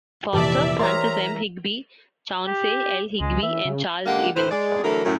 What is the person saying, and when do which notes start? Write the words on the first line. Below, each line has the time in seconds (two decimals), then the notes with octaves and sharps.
Foster, Francis M. Higbee, Chauncey L. Higbee and Charles Ivins.
0.33 F1 A#2 E3 G4 D5 E5 A5
0.79 G4 A#4 C5 C#5 E5 A#5 C6
2.47 G4
3.20 C#2 G#3
3.43 E3 E5
3.65 C#3
4.06 D3 G#3 A#3 G4 F5 F#5
4.36 D2 A2 B4 C5
4.51 G#3 G#4 D5
4.84 D3 E3 F#3 A3 A#4
5.05 F#2 A2